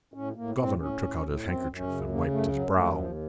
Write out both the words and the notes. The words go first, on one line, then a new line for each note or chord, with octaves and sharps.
The governor took out his handkerchief and wiped his brow.
A2 C#4
A2 A#3
A2 C4
A2 C#4
A2
A2
F#2 C4
F#2
C#4
C#3
C#3 A#3
F#2 A3
F#2 F#3
D#2 A3
D#2 F3